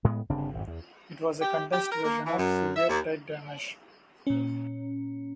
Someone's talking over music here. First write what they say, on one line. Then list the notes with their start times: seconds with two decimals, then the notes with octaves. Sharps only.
It was a condensed version of "Severe Tire Damage".
0.04 A2 G#3 B3
0.30 G1 C#3 C4 D4
0.54 G#1 F2
0.67 E2
1.41 G4
1.72 G4
1.92 A#4
2.04 A#3
2.26 E3
2.39 F#2
2.76 E5
2.89 D#2
4.27 A#2 C#4